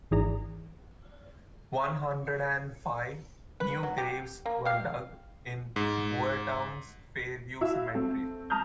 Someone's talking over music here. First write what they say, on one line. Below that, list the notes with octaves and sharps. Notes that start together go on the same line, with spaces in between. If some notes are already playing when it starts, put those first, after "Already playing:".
One hundred and five new graves were dug in Boyertown's Fairview Cemetery.
G#1 G#2 E3 G#4 D5 A#5
B4
F#3
G4
A#3
G4 F5
G#2
E4 F#4 E5 F5 E6
A3 C4
A5 A#5 D#6 F6 G6